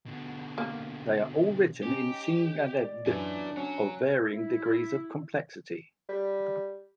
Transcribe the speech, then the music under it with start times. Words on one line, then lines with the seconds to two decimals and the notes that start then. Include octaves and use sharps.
They are all written in cynghanedd of varying degrees of complexity.
0.06 B2 D3
0.58 A#3
1.83 C#4 D#4 G4
2.76 D5
3.06 F#2 E3 D4 D5 G#5
3.57 F#3 C#4
4.33 E4
6.09 G3